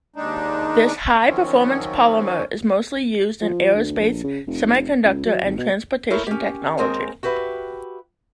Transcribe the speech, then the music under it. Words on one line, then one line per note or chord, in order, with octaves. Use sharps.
This high performance polymer is mostly used in aerospace, semiconductor and transportation technology.
D#2 G#3 D4 D#4
D#3 F3 F#3 C4 C#4
F3
D2
A#1
C#3
F1
C#2
F#3
G#1
B2
D#4 E4 A4 A#4 C#5
C#4 G4
D#2 G#3 C4 G#4 A#4
F#4 G4 B4 E5